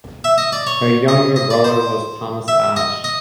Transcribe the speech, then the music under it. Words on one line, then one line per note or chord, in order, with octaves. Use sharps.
Her younger brother was Thomas Ashe.
E5
D#5
D5
C#5
D#5
D#5
D5
C5
E5
D#5
D#5